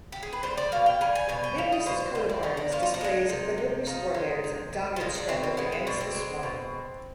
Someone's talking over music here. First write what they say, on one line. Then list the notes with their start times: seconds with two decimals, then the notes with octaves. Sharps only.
Biblis's coat of arms displays the Biblis forebears' dogged struggle against the swamp.
0.12 G4
0.23 G#4
0.33 B4
0.43 G3 C5
0.57 D5
0.72 B2 F5
0.86 G5
1.01 G3 G#5
1.15 G#5
1.29 B2 G#5
1.43 G5
1.58 G3 F5
1.72 D#5
1.86 B2 C5
2.00 C5
2.15 G3 C5
2.29 D5
2.43 B2 D#4
2.57 D4
2.72 F3 F4
2.83 D#4
2.94 D4
3.01 G#3 D#4
3.29 C3
3.58 C3
3.86 F3 D#4
4.14 G#3
4.44 C3
4.73 C3
4.96 F4
5.00 G#3 D#4
5.15 D4
5.29 B2 C4
5.43 C4
5.57 G#3 B3
5.72 C4
5.87 B2 D4
6.01 C4
6.14 G#3
6.43 B2